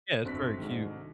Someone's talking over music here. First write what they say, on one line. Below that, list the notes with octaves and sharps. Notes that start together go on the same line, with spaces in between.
Yeah, it's very cute.
G1 C4 D4 F#4 A4 F#6 B6
C2 G#2 D#3